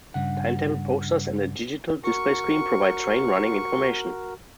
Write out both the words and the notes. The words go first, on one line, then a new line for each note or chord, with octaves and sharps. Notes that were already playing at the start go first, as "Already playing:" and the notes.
Timetable posters and a digital display screen provide train running information.
G2 C#3 F#5
F#4 A#4 C#6